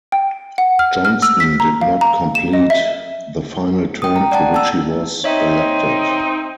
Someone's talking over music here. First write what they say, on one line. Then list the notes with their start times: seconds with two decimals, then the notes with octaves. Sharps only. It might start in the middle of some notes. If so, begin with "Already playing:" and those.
Johnston did not complete the final term to which he was elected.
0.12 G5
0.58 F#5
0.79 F6
1.05 F6
1.22 E6
1.40 B6
1.60 A#5
1.81 F5
2.01 A#5
2.35 E7
2.53 D#5
2.70 E5
4.02 G5 D#6
4.16 A#5
4.32 D5 F#5 A5
4.54 A5 E6
5.24 C4 D#4 C#5 D#5 E5